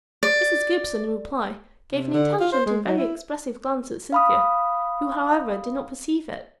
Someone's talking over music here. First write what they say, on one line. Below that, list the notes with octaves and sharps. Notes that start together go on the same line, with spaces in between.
Mrs. Gibson in reply gave an intelligent and very expressive glance at Cynthia, who however did not perceive it.
D5
C3
D3
F4
C5
G#3
F#3
E4
F5 B5 D#6